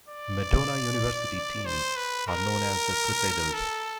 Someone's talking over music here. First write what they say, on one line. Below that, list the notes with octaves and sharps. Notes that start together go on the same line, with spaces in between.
Madonna University teams are known as the Crusaders.
D5
C5
B4
A#4
A4